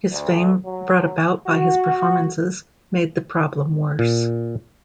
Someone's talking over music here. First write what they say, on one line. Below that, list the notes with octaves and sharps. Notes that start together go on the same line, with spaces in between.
His fame, brought about by his performances, made the problem worse.
D2
F#3
F#4
A#2